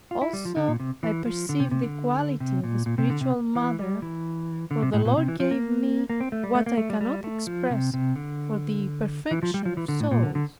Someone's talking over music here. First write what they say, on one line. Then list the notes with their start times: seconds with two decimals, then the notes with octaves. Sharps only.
Also I perceived the quality of a spiritual mother; for the Lord gave me what I cannot express for the perfection of souls.
0.11 F4
0.22 E4
0.33 G3
0.45 F3
0.56 D3
0.68 A#2
0.80 C3
1.03 E3
1.26 F3
1.49 D3
1.60 C3
1.71 C3
1.83 D3
2.40 C3
2.64 A#2
2.86 A#2
2.98 C3
3.10 D3
3.21 C3
3.55 E3
3.79 G3
4.02 E3
4.71 D3
4.82 C3
4.93 A2
5.05 A#2
5.17 C3
5.28 E3
5.40 F3
5.51 A#3
6.10 A#3
6.20 C4
6.32 A3
6.43 G3
6.55 A3
6.66 A#3
6.78 A3
6.90 G3
7.01 G3
7.24 A3
7.47 F3
7.70 C3
7.94 C3
8.16 D3
9.31 E3
9.43 F3
9.54 G3
9.65 F3
9.77 E3
9.88 D3
10.00 A2
10.11 A#2
10.23 D3
10.35 D3